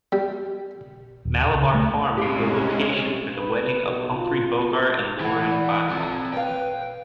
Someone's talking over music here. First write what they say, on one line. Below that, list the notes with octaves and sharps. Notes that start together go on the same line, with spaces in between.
Malabar Farm was the location for the wedding of Humphrey Bogart and Lauren Bacall.
G3
D#1
C#2
A3
C3 G#3 C#4 G4 F5
B4
B1
F4
E3 F#5
D5
F3 C4 F4
B4 C#5 F5 G5